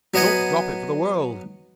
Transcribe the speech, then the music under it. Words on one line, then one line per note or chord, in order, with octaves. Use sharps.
"Don't drop it for the world."
F#3 B3 D#5 F#5 G#5 B5